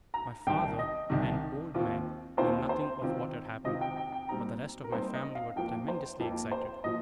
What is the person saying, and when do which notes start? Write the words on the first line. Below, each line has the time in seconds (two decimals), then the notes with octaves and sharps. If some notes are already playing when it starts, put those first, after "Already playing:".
My father, an old man, knew nothing of what had happened, but the rest of my family were tremendously excited.
0.14 A#5
0.47 C2 C3 D#3 G5
0.79 D#5
1.10 C2 C3 D#3
1.74 D#2 D#3 C4 F4
2.37 D#2 D#3 C4 F4 C5
2.69 C5
3.02 C3 D#3 C4 F4
3.64 C3 D#3 C4 F4 D#5
3.81 G5
3.97 G5
4.12 G5
4.29 A#2 G3 C4 D#4 A#5
4.84 A#4
4.92 A#2 G3 C4 D#4 C5
5.14 D#5
5.35 F5
5.56 F2 F3 A#3 G5
5.88 C5
6.20 F2 F3 A#3
6.52 C5
6.84 A#2 F3 D#5